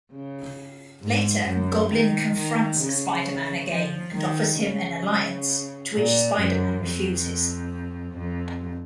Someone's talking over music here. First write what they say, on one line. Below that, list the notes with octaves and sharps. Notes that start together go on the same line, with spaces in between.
Later, Goblin confronts Spider-Man again and offers him an alliance to which Spider-Man refuses.
C#3
G#2
F#2
D#3
D#3
C#3
F3
D#3
C#3
A#2
F#2
F2
F2